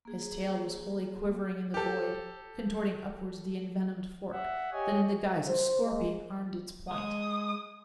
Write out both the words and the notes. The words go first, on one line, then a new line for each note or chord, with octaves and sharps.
His tail was wholly quivering in the void, Contorting upwards the envenomed fork, That in the guise of scorpion armed its point.
A#3 G#4
G4 A4
E5 F#5
G4 C#5 D#5 G#5
C5
G#3
G#3 D#6